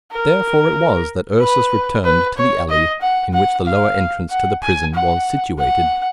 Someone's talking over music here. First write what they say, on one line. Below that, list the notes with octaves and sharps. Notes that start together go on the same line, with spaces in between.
Therefore it was that Ursus returned to the alley in which the lower entrance to the prison was situated.
A#4
B4
B4
C#5
D#5
F#5
F#5
F5
F#5
G#5
F#5
F#5